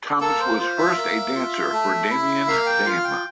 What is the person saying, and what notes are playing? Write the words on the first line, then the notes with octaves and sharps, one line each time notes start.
Thomas was first a dancer for Damian Dame.
A#3 A4
C5
F4 C5
E5
A#3
F4
A3
E4
A#3 F5
G5
F4 F5
G5